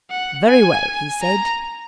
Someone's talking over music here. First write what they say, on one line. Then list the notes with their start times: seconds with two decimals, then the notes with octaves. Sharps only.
'Very well,' he said.
0.11 F#5
0.47 G#5
1.23 A#5